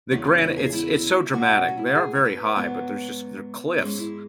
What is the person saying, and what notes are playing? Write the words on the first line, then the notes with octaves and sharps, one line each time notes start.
the granite, it's it's so dramatic. They aren't very high, but there's just they're cliffs.
E2 C#3 F#3 C#4
C#4
E4
G#4
E4
E4
B2 F#3 F#4
C#4
E4
F#4
G#4
C#5
B4
G#2 F#3 B3
G#2 G#3 C#4
E4